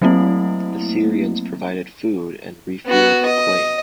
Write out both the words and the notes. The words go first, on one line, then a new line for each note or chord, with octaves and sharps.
The Syrians provided food and refueled the plane.
F#3 A3 A#3 C4 E4
B3 F#4
D#5